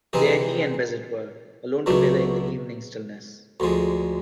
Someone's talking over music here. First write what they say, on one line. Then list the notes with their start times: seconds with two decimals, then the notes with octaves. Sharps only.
There he and Bassett were, alone together in the evening stillness.
0.13 C3 E3 G#3 C4 D#4
1.86 C#2 B2 F#3 A3 D4
3.60 D2 D3 F3 G#3